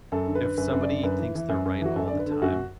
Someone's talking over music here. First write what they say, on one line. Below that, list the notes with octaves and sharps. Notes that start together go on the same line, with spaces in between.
If somebody thinks they're right all the time,
F#2 A4
D3
B4
D3
F#2 B4
F#2 B4
D5
D3
F#2 B4
E3
E3
F#2
F#2
E3 F#4
F#2 A4
D3 D5
B4
D3 A4
F#2 F#4